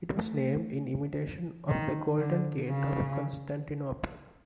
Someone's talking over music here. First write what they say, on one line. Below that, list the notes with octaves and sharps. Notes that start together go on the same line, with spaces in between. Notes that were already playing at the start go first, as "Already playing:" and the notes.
It was named in imitation of the Golden Gate of Constantinople.
A3
D#3
D3
C#3